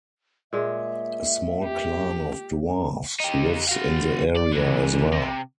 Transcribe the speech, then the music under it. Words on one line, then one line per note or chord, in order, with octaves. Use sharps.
A small clan of dwarves lives in the area as well.
A#2 G#3 E5
G4
D#4 G4
F#4 F5
D5
D3 E3
C3